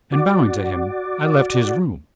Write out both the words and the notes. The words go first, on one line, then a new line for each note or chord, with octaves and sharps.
And bowing to him I left his room.
F#4 D5